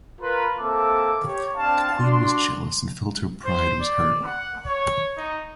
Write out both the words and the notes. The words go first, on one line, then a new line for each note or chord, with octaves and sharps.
The Queen was jealous and felt her pride was hurt.
F4 A#4 B4
A#3 C4 A4 E5 A5 D6
G4 C#5
C4 D4 F5 A5
D4 F#4 C6
C5
D5
F#5
C#5
D#4